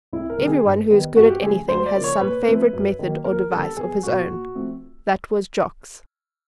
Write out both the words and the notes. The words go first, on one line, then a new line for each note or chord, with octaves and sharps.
Every one who is good at anything has some favourite method or device of his own: that was Jock's.
C2 E4
A#4
C3 D#3 G3
G#4
G2
D#3 G3 B3
F#2 F#4
G4
C#3 F3 A3 G#4
D2 C5
D5
C#3 F3 A#3
C#5
A#2 B4
F3 A3 C4
F#2
D#3 F#3 A#3
D#2 A#4
D3 G3 A#3 A4
E2 G#4
B2 G3 A#3 F#4
A#2
F3 A3 C4